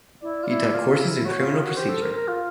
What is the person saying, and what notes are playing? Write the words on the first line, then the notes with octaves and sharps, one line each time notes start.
He taught courses in criminal procedure.
E4 D5
F4
E4
F4
E4
F#4 C#5
F4
E4
F4
F#4
G4 C5
A4
A#4
A#4
F4